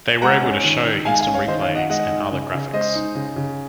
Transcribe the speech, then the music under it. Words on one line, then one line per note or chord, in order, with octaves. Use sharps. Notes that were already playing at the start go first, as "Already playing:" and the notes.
They were able to show instant replay and other graphics.
G#3 F#5 A#5
C#4
D#3
D#3
G#3 F5 G#5
F5 G#5
C#4
C#5 F5
D#3 C5 D#5
C#5 F5
D#3
D#5 F#5
G#3 D#5 F#5
D#4
C#3
C#3
G#3 C5 D#5
D#4
C#3
C#3